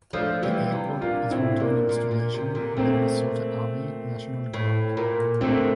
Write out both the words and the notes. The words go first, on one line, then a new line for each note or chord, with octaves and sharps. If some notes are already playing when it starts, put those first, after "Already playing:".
The airport is home to an installation of the Minnesota Army National Guard.
F3 A3 D4 F4
E3 G3
C3
A#2 D4 F4
A2 C4 E4
A#2 A#3 D4
A#2
A#2
C3
A#2 D3
A#2 A3 C4
A2
A#2
A#2 D3 A3 C4